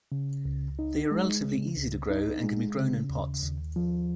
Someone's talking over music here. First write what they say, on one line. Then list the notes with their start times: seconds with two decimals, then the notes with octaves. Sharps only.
They are relatively easy to grow, and can be grown in pots.
0.12 C#3
0.45 C#2
0.79 D#4
1.11 G#3
1.44 C#3
1.77 C#2
2.10 D#4
2.43 G#3
2.77 C#3
3.09 D#2
3.43 D#2
3.76 F3